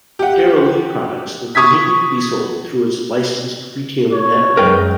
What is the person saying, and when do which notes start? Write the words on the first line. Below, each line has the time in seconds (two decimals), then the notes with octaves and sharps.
Darrell Lea products will continue to be sold through its licensed retailer network.
0.19 G4 F#5
1.55 C#6 D#6 G#6 B6
4.12 C#5
4.57 F#2 G#3 D#4 A#4 B4 G5